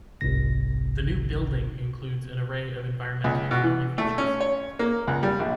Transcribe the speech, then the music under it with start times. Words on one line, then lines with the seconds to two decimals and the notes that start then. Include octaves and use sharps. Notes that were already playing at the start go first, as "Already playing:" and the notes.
The new building includes an array of environmentally friendly features.
0.21 G1 C2 G#2 C3 A#6
3.24 C#2
3.51 B2
3.63 E3
3.98 A3
4.18 C#4
4.40 C#5
4.79 A#3
5.07 C#2
5.23 G3
5.39 A#1